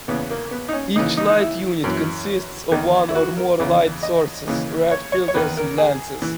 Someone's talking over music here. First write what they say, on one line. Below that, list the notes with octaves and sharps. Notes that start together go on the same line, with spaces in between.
Each light unit consists of one or more light sources, red filters and lenses.
E2 C#3 E3 B3
A#3
B3
D#4
C#4
D#2 C#3 E3 D#4
D#4
D#4
E4
F#2 E3
E2 D#3
E4
F#4
A#4
E2 C#3 E3
D#5
D#2 C#3 E3
C#5
C#5
C#5
E2 D#3 B4
A#4
G#4
E3